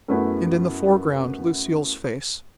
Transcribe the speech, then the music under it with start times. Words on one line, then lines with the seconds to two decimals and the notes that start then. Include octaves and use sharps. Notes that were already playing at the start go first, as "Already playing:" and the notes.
And in the foreground Lucille's face.
0.08 F#2 A3 B3 E4 F#4